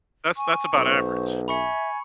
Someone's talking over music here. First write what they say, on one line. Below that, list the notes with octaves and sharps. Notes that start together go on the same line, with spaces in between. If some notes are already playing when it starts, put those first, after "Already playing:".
that's that's about average.
G#5 C#6
B1 C5
E5 G#5 B5 C#6 C#7